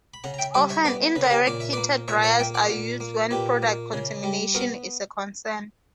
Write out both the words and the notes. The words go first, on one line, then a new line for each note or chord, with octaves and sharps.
Often, indirect heated dryers are used when product contamination is a concern.
B5
C#3 F#5 A#5
A#5
E5 G5
G3 D5 F#5
C#5 E5
B3 B4 D5
C#3 B4
A#4
G4 B4
A#2 D5
E5
A#3 B4 D5
A#2 C#5 E5
C#5 E5
F#5
A#3 E5 G5
D5 F#5
A#2
A#3
A#2 G4 B4
A#3
C#3
G3
B3 F#4 A#4